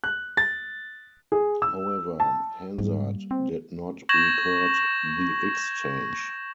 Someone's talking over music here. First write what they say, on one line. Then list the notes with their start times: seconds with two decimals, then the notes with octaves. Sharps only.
However, Hansard did not record the exchange.
0.04 F#6
0.37 A6
1.32 G#4
1.62 E6
2.20 A5
2.78 G#2 G3 A#3
3.31 C4
4.09 C#6 G6 G#6 A#6 E7 F#7